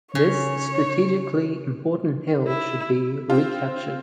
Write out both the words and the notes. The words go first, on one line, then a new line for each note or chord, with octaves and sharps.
This strategically important hill should be recaptured.
C#3 C#5
E4
C4 F4